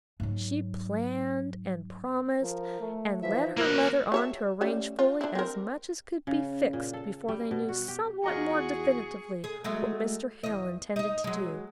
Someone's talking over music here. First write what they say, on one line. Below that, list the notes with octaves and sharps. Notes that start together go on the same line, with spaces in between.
She planned and promised, and led her mother on to arrange fully as much as could be fixed before they knew somewhat more definitively what Mr. Hale intended to do.
G#2 F#3
F3 A#4
A3
E3 F3 E5
B2 A#3 A#4 F#5
F#3 C#5 E5
G3 A3 C#4
F4
D4 E4
C4 A#4
C#3
A#2
A4
G3
B2
F#4
G4
E2 F4 F#4 G#4 D#5 A#5 C#6
G#4
F#3 G#3 A3
E2 D#5
D#4 D#5
F#3 G#3